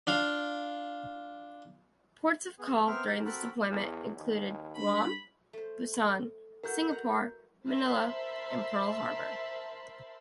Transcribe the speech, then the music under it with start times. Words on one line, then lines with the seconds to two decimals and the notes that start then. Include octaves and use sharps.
Ports of call during this deployment included Guam, Busan, Singapore, Manila and Pearl Harbor.
0.07 D4 F4 F5
2.59 B3 G#4
2.87 B3 C4 A#4 C5 E5 F6
3.06 G4 A#4
3.25 C4 F#4 A4 A#4 B5
3.69 E2
4.16 D#2
4.77 G2 B5
5.53 A3 C5
6.64 E4 F#4 A4 A#4 G6
6.89 B4 F#5 A#5
7.66 A#4 C5 E5 A5 B5 C6